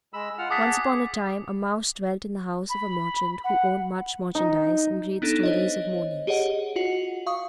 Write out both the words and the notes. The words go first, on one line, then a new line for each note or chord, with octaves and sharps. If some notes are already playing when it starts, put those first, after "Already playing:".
Once upon a time a mouse dwelt in the house of a merchant who owned much merchandise and great stories of monies.
G#3 B5 E6
F4 F#5 F6
G#4 F#5 A5 D6 D#6 B6
G#4
B5
F#5
D#4
B3 D4 D#4 A4
C5 C#5 D#5
G4 G#4 C#5 D#5 F#5
F4 F#4 F#5
F5 C#6 D#6